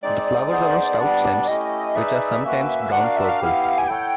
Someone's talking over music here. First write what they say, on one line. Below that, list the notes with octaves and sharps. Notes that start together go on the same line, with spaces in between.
The flowers are on stout stems, which are sometimes brown-purple.
G#3 C4 D#4 D5
B3 D#4 G#4 C5
G3 B3 D4
A3 C#4 E4 G4 D#5
D#4 G#4 B4 D5 E5
A#3 C#4 F#4 B4
D4 F#4 A#4 D5 F#5
F5
E5
F5
B3 E4 G4
G#5
E4 A4 C#5 F#5 G5